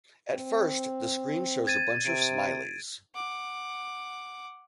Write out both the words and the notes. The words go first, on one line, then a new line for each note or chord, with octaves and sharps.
At first, the screen shows a bunch of smileys.
C4
G#6 A6 D#7
C3 D7
F#5 D6